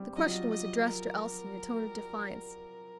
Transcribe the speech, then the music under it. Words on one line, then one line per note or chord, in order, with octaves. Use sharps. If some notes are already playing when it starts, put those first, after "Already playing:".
The question was addressed to Elsie in a tone of defiance.
Already playing: G3 C4
F#3 D#5
F3
F#3
D#5
A#4